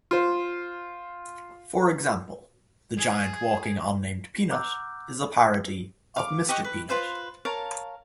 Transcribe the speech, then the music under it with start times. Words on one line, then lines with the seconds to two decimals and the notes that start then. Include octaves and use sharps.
For example, the giant walking unnamed peanut is a parody of Mr. Peanut.
0.11 F4 C5
2.97 G#4
4.50 F#5 A#5 D6 E6 F#6 G6
6.16 F5 D6
6.48 G4 D#5 F#5 C#6
6.64 B4
6.89 F4 B4 C5 F5
7.45 A#4 C#5 F5 A5